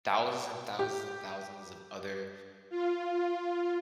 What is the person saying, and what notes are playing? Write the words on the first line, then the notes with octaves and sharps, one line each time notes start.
thousands and thousands and thousands of other,
G4
F4